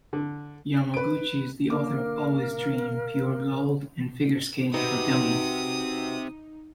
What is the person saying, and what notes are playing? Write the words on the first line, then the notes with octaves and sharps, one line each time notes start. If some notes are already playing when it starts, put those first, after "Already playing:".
Yamaguchi is the author of "Always Dream", "Pure Gold", and "Figure Skating for Dummies".
D3
B4 D7
D3 A#3 A#4 F5 D6 F6
C3 D#4 F#4 B4 D#6